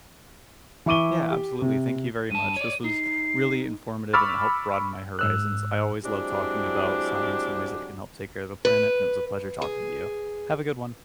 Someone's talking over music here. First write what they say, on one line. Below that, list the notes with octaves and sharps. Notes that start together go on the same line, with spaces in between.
Yeah, absolutely, thank you very much, this was really informative, and it helped broaden my horizons, I always love talking about science and ways that it can help take care of the planet, and it was a pleasure talking to you. Have a good one.
E3 E4 C#6 D6 D#7 G7
G4
C3
G2 A5 D#7
C#5 D5
D#4 C7
B5 C#6 D6 E6 F6 A6
G#2 E6 F#6
F#3 G#3 C4 D4 E4 G4
B4
G#4